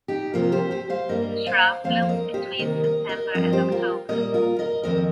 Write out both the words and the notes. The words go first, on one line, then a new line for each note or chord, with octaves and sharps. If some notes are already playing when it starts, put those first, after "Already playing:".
The shrub blooms between September and October.
D#4 G4
C3 F3 A#3 F4 A#4
G4 C5
G4 C5
C5 F5
G2 G3 A#3 A#4 D#5
C5 F5
F2 F3 A#3 C5 F5
C5
A#4 D#5
G4 C5
C3 D#3 A#3 A#4 D#5
A#4 D#5
A#4 D#5
G2 F3 C4 A#4 D#5
G4 C5
F4 A#4
A#2 G3 A#3 A#4 D#5
F4 A#4
A#4 D#5
F2 D#3 C4 A#4 D#5